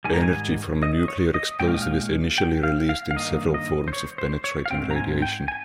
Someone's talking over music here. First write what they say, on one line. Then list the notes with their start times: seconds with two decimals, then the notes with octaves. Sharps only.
Energy from a nuclear explosive is initially released in several forms of penetrating radiation.
0.05 G#2 D#3 G3 G#5
0.14 A#5
0.23 G#5
0.83 D#5
1.08 C#5
1.34 D#5
1.60 A#2 G#3 C#4 G5
1.68 F5
1.74 D#5
1.82 F5
2.38 G5
2.63 F5
2.89 F5
3.11 F5
3.16 G2 D#3 A#3 D#5
3.54 D#5
3.88 C5
3.93 C#5
4.18 C5
4.44 C#5
4.66 F5
4.70 G#2 F3 C4 G5
4.91 A#5
4.96 G#5
5.22 G5
5.48 G#5